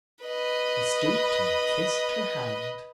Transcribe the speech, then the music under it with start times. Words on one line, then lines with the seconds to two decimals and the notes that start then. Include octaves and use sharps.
He stooped and kissed her hand.
0.25 B4 D#5